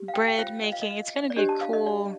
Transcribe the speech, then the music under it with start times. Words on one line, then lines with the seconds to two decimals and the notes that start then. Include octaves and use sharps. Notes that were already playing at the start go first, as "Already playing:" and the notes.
bread making, it's gonna be a cool,
Already playing: G4
0.08 F5
0.14 G5
0.28 G5
0.38 F4 C5 F5
0.64 D#5
0.72 F5
0.82 D#5
1.30 D5
1.36 D4 G4 C5 D#5
1.49 A5
1.61 F5
1.73 D#5
1.86 D5